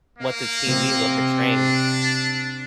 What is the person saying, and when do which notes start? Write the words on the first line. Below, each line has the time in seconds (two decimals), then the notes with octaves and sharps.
what the TV would portray.
0.19 A#3
0.66 C3
1.41 D4